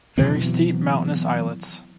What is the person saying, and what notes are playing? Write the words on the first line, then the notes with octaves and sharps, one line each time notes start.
Very steep mountainous islets.
B2 E3 F#3 C4